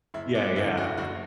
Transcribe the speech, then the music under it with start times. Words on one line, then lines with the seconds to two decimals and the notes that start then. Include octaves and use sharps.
Yeah, yeah,
0.14 F#1 E4
0.35 D4
0.56 E2 D3 E4
0.77 F#4
0.97 F#1 F#4